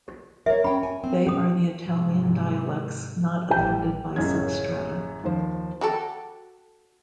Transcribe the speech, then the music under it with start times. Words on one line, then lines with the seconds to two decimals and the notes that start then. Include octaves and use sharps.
They are the Italian dialects not affected by substrata.
0.46 A#4 C#5 E5
0.64 C#4 G5 B5
0.83 G#5
1.04 C4
1.27 B2 E3 C#4 D#6
1.87 G#2 C3 F#3
3.50 A1 E3 G3 G4 G5
4.16 A1 F#2 C#3 C#4 G#6
5.24 D#2 F3 C5
5.81 F#4 G4 A4